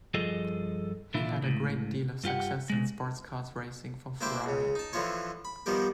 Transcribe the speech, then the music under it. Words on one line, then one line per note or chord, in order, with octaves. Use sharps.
He had a great deal of success in Sports Cars racing for Ferrari.
G2 F3 F4 G#4 A4 D#5
A#2 E3 D4 E4 F4
C#2 A2 C#3
G2 F4 G4 F#5
B2 G#3
A#3 D4 E4 C5 D5 G5
C#2 C#3
D#4 A5
D3 E3 F3 F4 C#5
B5
B2 D#3 F3 G3 G4 A#4